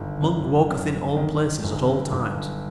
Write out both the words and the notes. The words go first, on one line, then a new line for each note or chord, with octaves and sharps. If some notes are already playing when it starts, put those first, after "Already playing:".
Mung walketh in all places at all times.
Already playing: G1 D#3
F#2
F#2
D#3
G1
G1